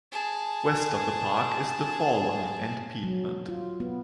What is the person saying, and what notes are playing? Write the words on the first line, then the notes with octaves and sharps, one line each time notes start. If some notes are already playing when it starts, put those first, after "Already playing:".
West of the park is the Fall line and Piedmont.
G#4 A5
F#3
F4
B3